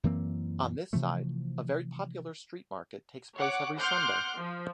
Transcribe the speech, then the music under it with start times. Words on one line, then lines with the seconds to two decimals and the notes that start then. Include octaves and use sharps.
On this side, a very popular street market takes place every Sunday.
0.04 F#2 E3 A#3 C4
0.93 C3 E3 F3 A3
3.37 C#5 F#5 D6
3.78 F#5 C6 D6 F6 G6
4.39 F3